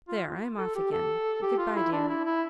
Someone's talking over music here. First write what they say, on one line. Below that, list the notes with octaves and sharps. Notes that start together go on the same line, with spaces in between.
There, I am off again.... Good-bye, dear.
F4
A4
G4
A4
G4
F4
E4
D4
E4
E4